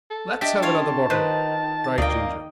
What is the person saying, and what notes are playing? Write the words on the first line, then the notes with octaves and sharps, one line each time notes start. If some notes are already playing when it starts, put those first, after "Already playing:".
"Let's have another bottle," cried Ginger.
A4
D4 G4 D#5 E5 A5
F4 C#5 F5
D#3 B4 C5
A6
D2 A#3 D5 D#5 F5 G5